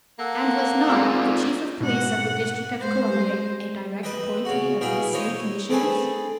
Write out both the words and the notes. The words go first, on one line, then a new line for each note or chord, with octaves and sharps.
And was not the Chief of Police of the District of Columbia a direct appointee of these same commissioners?
A#3 A4 F#5
C4 D#4 F4 G#4 D5
G#2 B2 F#5
G#3 C5
B4 D#5 E5 G5
C#3 F#4
B2 E4 G#4 E5 F5 G5
D#4 E4 C5 C#5 D#5
A3 C4 G#4 B4 G#5 A5